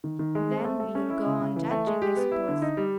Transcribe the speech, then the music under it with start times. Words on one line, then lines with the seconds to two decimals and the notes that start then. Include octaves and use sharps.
"Then you'll go on judging, I suppose."
0.04 D#3
0.19 D#3
0.35 G#3
0.50 C4
0.64 A3
0.80 A4
0.95 C#4
1.10 E4
1.26 C#3
1.41 C#3
1.56 E3
1.71 A3
1.87 G#3
2.02 G4
2.16 B3
2.32 E4
2.48 D3
2.62 D#4
2.77 G3